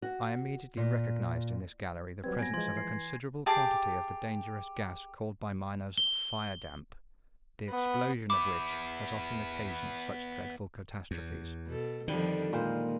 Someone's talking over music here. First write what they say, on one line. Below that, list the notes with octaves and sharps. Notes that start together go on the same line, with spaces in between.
I immediately recognised in this gallery the presence of a considerable quantity of the dangerous gas called by miners firedamp, the explosion of which has often occasioned such dreadful catastrophes.
F#4
A#2
F#3 G3 C4 B4 G#6
B3 G#5 G#6 A#6
E3 F3 G#3 C6 G#6
C7
G4 G#4 A5 D6
G7
B3
B3 E4 D6
E2
B2 A4
F2 D3 D#3 F3 G3 D4
A#2 G3 G#3 C5